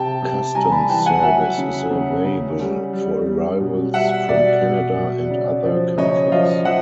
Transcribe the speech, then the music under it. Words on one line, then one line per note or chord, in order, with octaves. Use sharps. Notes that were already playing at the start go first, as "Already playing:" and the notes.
Customs service is available for arrivals from Canada and other countries.
Already playing: C3 G5 A5
C3
G3 G#5 A#5
A5 B5
E3 G5 A5
F#5 G#5
F#3 E5 F#5
C#3
C#3
C#3
G3
G3
G3
B2
G3 E5 F#5
B2 D5 E5
B2
B2
C#3
F3
C#3 C#5 D#5
F3 D#5 F5
F3 E5 F#5